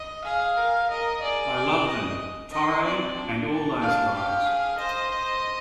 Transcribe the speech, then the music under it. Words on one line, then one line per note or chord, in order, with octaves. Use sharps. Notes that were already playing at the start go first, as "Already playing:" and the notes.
I love them, Torre and all those guys.
Already playing: D#5
G#4 F5
A#4
A#4 D#5
G#4 D5
G#4
D#5
D#4 D#5
C4 D5
D4
F5
G4 F5
G#4
C5 D#5
C5